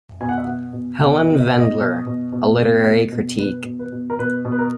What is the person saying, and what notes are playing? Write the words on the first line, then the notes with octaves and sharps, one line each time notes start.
Helen Vendler, a literary critic.
B2 G#5
F#5
E5
B2 F#5
B2
B2 E5
D#5
B2
D#5
E5
B2
D#5
B2
B2
B2
B2
B2
B2
B2 B4
B2
B4
B2
A#4
B2 B4
B2
B4
A#4